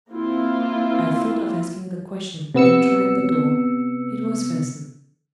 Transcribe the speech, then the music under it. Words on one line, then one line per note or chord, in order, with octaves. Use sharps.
I thought of asking the question, and tried the door: it was fastened.
A#3 C4 E4 F4
C3 B3 E6 C#7